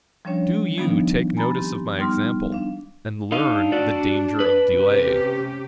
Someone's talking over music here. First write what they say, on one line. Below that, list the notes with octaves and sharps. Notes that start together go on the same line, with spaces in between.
Do you take notice of my example, and learn the danger of delay.
F3 G3 C#4 D4 C#5
D#3 F3 G3 B3 D4 D#4
G#5 A#5 B5 A6
C4 G4
G3 B3 D#4 C6 F6
D4 F5
D4 D#4 F5
F#4 D5
B4
C3 C#4 G4